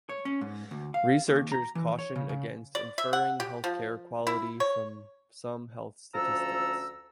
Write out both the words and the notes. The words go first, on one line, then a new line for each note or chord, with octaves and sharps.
Researchers caution against inferring healthcare quality from some health statistics.
C#5
C#4
G#2
D2
F5
D#2
A#5
E3
C#5
C#3
C#3
D5
E5
F#5
G4
F3
E4
C#5
D2 F3 C#4 A4 A#5 E6